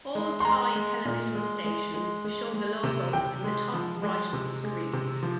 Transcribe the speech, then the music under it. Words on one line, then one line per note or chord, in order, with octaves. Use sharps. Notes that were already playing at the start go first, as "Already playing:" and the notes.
All Thai television stations show the logos in the top-right of the screen.
G#3
C6
G#3 A#5
G#3
A#2
G#3
G#3
G#3
G#3
G#3
C3
C3 G5
G#3
F3
G#3
C3
G#3
C3
F3